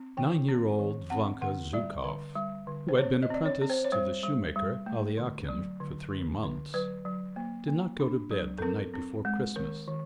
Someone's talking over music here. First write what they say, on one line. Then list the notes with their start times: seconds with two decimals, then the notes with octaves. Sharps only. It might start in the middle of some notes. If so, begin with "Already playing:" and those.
Nine-year-old Vanka Zhukov, who had been apprentice to the shoemaker Aliakhin for three months, did not go to bed the night before Christmas.
Already playing: C4
0.17 D#3 G5
0.48 C4
0.79 D#3
1.10 C4 F#5
1.41 D3 F#5
1.73 G3 D5
2.04 D3
2.36 G3
2.67 D3
2.89 C5
2.98 C4 C#5
3.23 D#5
3.30 C4 D5
3.46 C#5
3.62 C4
3.70 C5
3.84 C#5
3.92 G3 C5
4.23 G3
4.56 G3
4.86 A3
5.18 D3
5.48 F#3
5.80 D3
6.11 D3
6.43 D3
6.74 F#3 B4
7.05 F#3
7.36 A#3
7.68 A#3
8.00 D4
8.31 F#3
8.58 A4
8.62 C4 A#4
8.94 C4
9.25 G#3
9.56 D#3 A#4
9.88 D#3